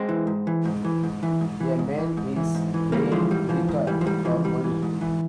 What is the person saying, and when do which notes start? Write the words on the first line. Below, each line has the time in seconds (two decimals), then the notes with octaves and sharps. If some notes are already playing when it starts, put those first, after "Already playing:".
A man is playing guitar for money.
Already playing: G#3 C4
0.09 E3
0.27 G#2
0.47 E3
0.65 G#2
0.85 E3
1.03 G#2
1.23 E3
1.41 G#2
1.60 E3
1.79 G#2
1.98 E3
2.17 G#2
2.36 E3
2.55 G#2
2.74 E3
2.92 G#2 G3 A#3
3.12 E3 F3 G#3
3.31 G#2 G3
3.49 E3 F3
3.69 G#2
3.87 E3 G3
4.01 F3
4.06 G#2 G3
4.25 E3 F3
4.44 G#2 G3
4.64 E3
4.83 G#2
5.01 E3